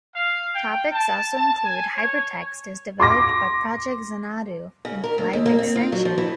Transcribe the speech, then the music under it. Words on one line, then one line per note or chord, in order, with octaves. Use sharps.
Topics also include hypertext as developed by Project Xanadu and life extension.
F5
G5
A5
A5
G#5
C#5
C6 D6 A#6
C#3
A#4
D2
D#2
A#3
C4
F4
F#3
F3
E3